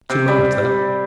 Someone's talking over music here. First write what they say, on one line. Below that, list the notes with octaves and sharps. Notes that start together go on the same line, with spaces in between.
"To Malta?"
C3
G3